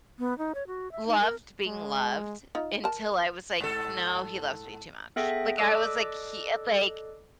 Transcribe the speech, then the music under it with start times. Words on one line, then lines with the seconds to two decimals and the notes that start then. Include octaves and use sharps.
loved being loved until I was like, "No, he loves me too much." Like, I was like he, uh, like
0.19 B3
0.38 D#4
0.55 C#5
0.67 F#4
0.92 E5
1.07 D#4
1.21 A#4
1.66 G#3
2.55 D#4 F4
2.84 A#4 A5
3.60 G#2 A4
5.16 B3 G#4 A4 E5 G5 A#6
5.57 A4 D5 D#5 D6 E6 F#6